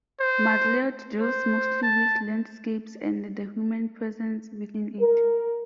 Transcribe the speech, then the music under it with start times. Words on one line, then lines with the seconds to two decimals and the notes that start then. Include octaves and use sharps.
Macleod deals mostly with landscapes and the human presence within it.
0.20 C5
1.20 C5
1.83 A5
4.99 A#4